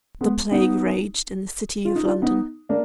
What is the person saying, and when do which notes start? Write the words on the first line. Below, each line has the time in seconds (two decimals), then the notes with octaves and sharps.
The plague raged in the city of London.
0.21 G#3 B3
0.51 B3 D#4
1.85 F4
1.95 D#4
2.05 D4 F4
2.22 B3 D#4
2.69 A#3 D4